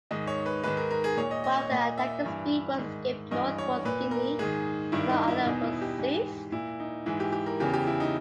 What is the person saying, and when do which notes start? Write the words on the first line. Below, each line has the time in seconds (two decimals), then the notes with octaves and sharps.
One of the attacking speedboats escaped north towards Guinea, while the other was seized.
0.11 G#2 D#3 D#5
0.27 C#5
0.46 B4
0.64 G#2 D#3 B4
0.77 A#4
0.91 A#4
1.04 G#4
1.17 A#2 C#5
1.31 D#5
1.44 D#5
1.58 C#5
1.71 A#2 D#5
1.98 E5
2.24 G2 E3
2.78 G#2 D#3
3.31 G2 E3 D#5
3.58 C#5
3.85 A#2 B4
4.11 A#4
4.39 G#2 D#3 G#4
4.92 G2 D#3 E4
5.10 D#4
5.28 E4
5.46 E2 B2 D#4
5.63 E4
5.82 G4
5.99 G#2 E3 G4
6.52 A#2 E4
6.80 D#4
7.06 G#2 E3 E4
7.20 G4
7.32 G4
7.46 A#4
7.60 E2 C#3 E3 G4
7.73 G4
7.87 E4
8.00 D#4